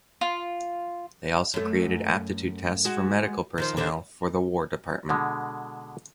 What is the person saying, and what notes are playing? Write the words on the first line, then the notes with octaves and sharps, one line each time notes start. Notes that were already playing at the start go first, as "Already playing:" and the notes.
They also created aptitude tests for medical personnel for the War Department.
F4
F#2 A3
G#3 F#4
D#3 F3 C5
D3 C4 D4
B2 D3 G#3